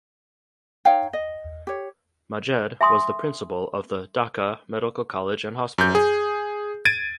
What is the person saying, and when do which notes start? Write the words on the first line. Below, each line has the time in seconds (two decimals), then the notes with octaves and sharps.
Majed was the principal of the Dhaka Medical College and Hospital.
0.85 D#4 C#5 F5 G5
1.13 D#5
1.67 G4 C#5
2.81 E5 G#5 C6 D#6
5.78 F#2 G6
5.95 G#4
6.85 G#6 A6 D7 D#7